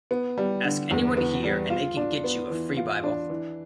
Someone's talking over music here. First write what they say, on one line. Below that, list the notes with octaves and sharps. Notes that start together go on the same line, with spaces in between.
Ask anyone here and they can get you a free bible.
B3
G3
D3
E2
B3
G3
F4
D4
B3
E3
F4
D4
E3